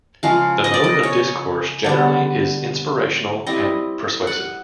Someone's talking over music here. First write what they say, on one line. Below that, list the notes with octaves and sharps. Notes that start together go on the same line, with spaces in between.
The mode of discourse generally is inspirational and persuasive.
C#3 F3 G#3 F5
D#5
D5
D#5
C#5
D3 G3 B3
G3 C4 E4 D#5
F#5